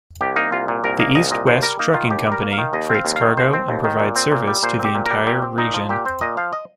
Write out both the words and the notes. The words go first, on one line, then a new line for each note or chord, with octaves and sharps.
The East-West Trucking company freights cargo and provides service to the entire region.
C2 G4
A#3 D#4
C2 F4
A#2
C2 A#4
A#3 D#5
C2 D#5
A#2 D#5
D#2 C5
G3 A#4
A#3 D#4
D#3 F4
D#2 G4
G3
A#4
A#3
F5
D#3
D#2 D#5
C4 F5
D#2
F5
D#3
D#2 C5
C4
D#2
D#3
A#2
C4
A#2
G3
A#2 C5
C4
G4
A#2
A#4
G3
A#2 G4
C4
A#2 D#4
F3
A#2 G4
C4 C5
A#2 D#5
F3 F5
D#5